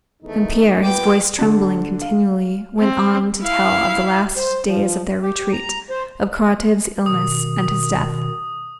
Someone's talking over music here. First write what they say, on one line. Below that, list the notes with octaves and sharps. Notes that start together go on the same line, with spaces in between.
And Pierre, his voice trembling continually, went on to tell of the last days of their retreat, of Karataev's illness and his death.
E2 D#3 A3 D#4
A#2 B3 B4 G5 D6
D3 D4
F5
C4
E4 F5
C5
F3
G4
A#5
C5
B2 D#3 D#6